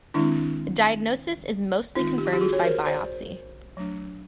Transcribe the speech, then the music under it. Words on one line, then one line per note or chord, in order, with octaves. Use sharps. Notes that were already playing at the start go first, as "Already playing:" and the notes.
The diagnosis is mostly confirmed by biopsy.
D#3 G#3 C4 D4 E4
D#3 G#3 C4 D#4 F4
G4
F#4
F4 G4
F#4 G#4
C#5
A#4 C5
C5 D5
F#3 A3 D4